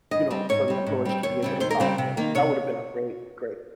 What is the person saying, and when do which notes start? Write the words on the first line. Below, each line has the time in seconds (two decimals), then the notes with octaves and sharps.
you know, for the employees to be able to talk, but that would have been a great, great
0.11 G2 D#5
0.31 G3 C4
0.49 G#2 C#5
0.68 G3 C4
0.86 G#2
1.05 G3 C4
1.23 D#2 C#5
1.42 C#3 G3 C4
1.60 D#2 C5
1.71 A#4
1.80 C#3 G3 C4 C5
1.98 C3
2.17 D#3 A#3
2.35 C3 C#5